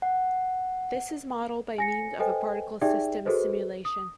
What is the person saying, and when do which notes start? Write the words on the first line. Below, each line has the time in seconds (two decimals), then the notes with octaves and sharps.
This is modelled by means of a particle system simulation.
0.02 F#5
1.78 G#5 A#6 C#7
2.20 A4 B4 C5 D#5 G5 G#5
2.81 D#4 G4 G#4 D5 E5 G5
3.25 F#4 G#4 A4 B4 C5 D#5
3.85 D#6